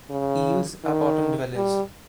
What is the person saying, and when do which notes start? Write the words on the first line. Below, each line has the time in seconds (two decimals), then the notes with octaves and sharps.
Eels are bottom dwellers.
0.10 C#3
0.84 D#3
1.56 G3